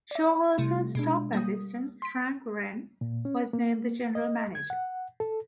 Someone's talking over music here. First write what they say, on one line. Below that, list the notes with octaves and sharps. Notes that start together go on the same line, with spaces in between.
Schuerholz's top assistant Frank Wren was named the general manager.
D5 E5
C3 G3 A3 E4
B2 G#3 D4
G3 A#3 D#6
C6 B6 D7
A#2
C#4
A#3
D#5
G#6
F#5
A4